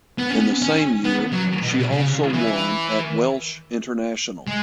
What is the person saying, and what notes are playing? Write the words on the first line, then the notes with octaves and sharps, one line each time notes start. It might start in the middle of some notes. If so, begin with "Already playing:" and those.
In the same year she also won at Welsh International.
B3
C#4
B3
C#4
B3
F#3
B2
B2
C#3
E3
G#3